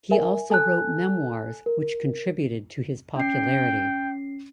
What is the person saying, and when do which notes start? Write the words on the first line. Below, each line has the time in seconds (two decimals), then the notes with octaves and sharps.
He also wrote memoirs which contributed to his popularity.
0.11 A#4 E5 G#5
0.50 A4 G#5 A5 F#6
1.66 A#4
3.16 C#4 G5 C7